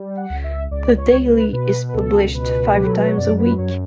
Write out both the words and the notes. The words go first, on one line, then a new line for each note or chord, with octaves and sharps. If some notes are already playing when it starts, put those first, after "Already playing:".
The daily is published five times a week.
Already playing: G3
F#5
C#2
E5
C#2 D5
C#5
C#2
B4
B2 B4
B4
C#2 A4
B2 B4
F#3 G4
A4
B4
C#5
F#2 D5
B4
F#2 C#5